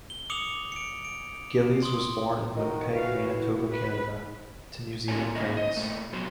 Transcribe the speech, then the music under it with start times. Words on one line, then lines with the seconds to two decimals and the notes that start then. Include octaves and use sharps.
Gillies was born in Winnipeg, Manitoba, Canada to New Zealand parents.
0.10 G7
0.30 D6 D#6 C#7 F7 F#7
0.72 C#7 D7
1.05 D7
1.82 C6 D#6
2.56 D#3 F#4 D#5
2.94 E3 F5
3.28 E4
3.72 B4
5.08 C4 D4 F#4 A4 C#5 G#5
5.20 A#3 F4
5.35 A2 A#3 C#4 D#5 E5
5.57 D#5
5.76 A#2 A3
6.12 C3 F#3 B3 F#4 C5